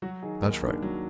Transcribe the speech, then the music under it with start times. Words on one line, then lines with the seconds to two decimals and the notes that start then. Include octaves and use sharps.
That's right.
0.02 F#3 F#4
0.23 D#3 G#4
0.42 D#2 A#4
0.62 D#2 D4
0.82 F#3